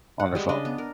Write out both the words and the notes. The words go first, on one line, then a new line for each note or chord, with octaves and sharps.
"on their phone
F#5
G3 G#3
C#3 D4 D#5
B3
A#4